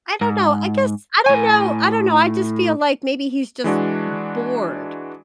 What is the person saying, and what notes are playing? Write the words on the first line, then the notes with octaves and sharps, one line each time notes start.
I don't know, I guess I don't know. I don't know, I just feel, like, maybe he's just b bored,
G#2
A2 G#5
E3 G#3 D4 F#4